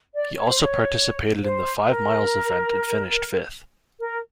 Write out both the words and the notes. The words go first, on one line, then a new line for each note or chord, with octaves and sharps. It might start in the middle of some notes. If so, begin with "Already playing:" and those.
He also participated in the five miles event and finished fifth.
D5
C#5
C5
C#5
C5
A#4
A#4